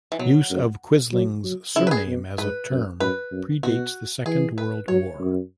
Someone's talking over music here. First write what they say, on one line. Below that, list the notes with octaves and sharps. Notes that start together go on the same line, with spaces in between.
Use of Quisling's surname as a term predates the Second World War.
E3
B2 F#3
F#2
F#3
F#3
C#3 E4
B4
G#4
B2
G#2 B4
F#2
F#2 B4
F#2
B2 F#4
E3 G#4
B4
F#3 C#5
F#2